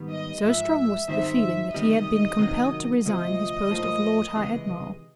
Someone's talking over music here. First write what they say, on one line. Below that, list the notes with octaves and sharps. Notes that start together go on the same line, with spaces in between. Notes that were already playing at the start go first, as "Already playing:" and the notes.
So strong was the feeling that he had been compelled to resign his post of Lord-High-Admiral.
Already playing: G#2 D#3 G3 B3
D#5
G#2 F3 G#3 E5
G#2 D#3 G3 C4 D#4 E5
D2 C3 D#3 G3 D#5
C3 D#3 F#3 A#3
D2 C3 F3 D#5
A2 F3 A#3
C#2 C3 E3 G#3